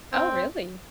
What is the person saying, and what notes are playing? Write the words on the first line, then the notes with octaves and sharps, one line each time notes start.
Oh, really?
C4